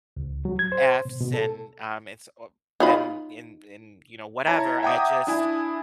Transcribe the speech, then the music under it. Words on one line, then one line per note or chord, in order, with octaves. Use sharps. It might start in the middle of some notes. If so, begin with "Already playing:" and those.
Fs and, um, it's ob and in in you know, whatever, I just
C#2
F#3
G#6
C5
B2
B2
A4
D#4 F4 B5
E4 C#5 A5 A#5 G#6
E5 F#5 G5 A#5 D6 D#6
D4 E4 G#5